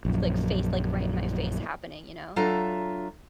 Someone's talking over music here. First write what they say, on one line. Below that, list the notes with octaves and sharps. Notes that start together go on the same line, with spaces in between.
like, face like, right in my face happening, you know?
A#1 F#2
F#3 D4 F4 A4 E5 A#5